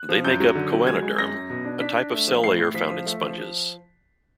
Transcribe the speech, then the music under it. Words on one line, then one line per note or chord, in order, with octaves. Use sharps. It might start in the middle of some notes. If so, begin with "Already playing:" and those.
They make up Choanoderm, a type of cell layer found in sponges.
Already playing: F#6
F3
F#2 G6
F#3
D3
F#3
G#3 G#6
G#3
F#2 A#6
F#2
B2
D4
D4 B6
D4
A3
F3
A2 C7
A2
F3 B6
F3
A3
F3
F3